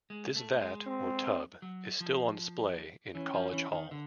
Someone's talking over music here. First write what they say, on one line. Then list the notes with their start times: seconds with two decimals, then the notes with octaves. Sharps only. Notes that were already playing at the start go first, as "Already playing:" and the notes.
This vat or tub is still on display in College Hall.
0.10 G#3
0.36 A3
0.61 G#3
0.87 C4
1.62 F#3
2.00 F3
3.15 E3 C#4
3.34 F3
3.53 E3
3.72 D#3
3.91 D3